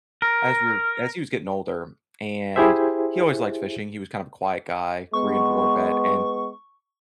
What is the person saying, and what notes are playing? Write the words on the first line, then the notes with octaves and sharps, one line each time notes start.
as we were as he was getting older, and he always liked fishing, he was kind of a quiet guy, Korean War vet, and,
A#4
E4 G4 G#4 C5 E5
G#3 B3 C#6